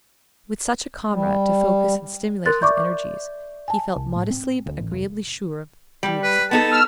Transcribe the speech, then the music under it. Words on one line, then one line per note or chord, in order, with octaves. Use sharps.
With such a comrade to focus and stimulate his energies he felt modestly but agreeably sure of "doing something".
G3
A#4 C6 F#6 A6
D5 E5 B5 C#6 D6 G6
G#5 A5
C2
A2
C4
D2
A1
F1
G3
B4
B3 D#4 A4 A5
E6 F6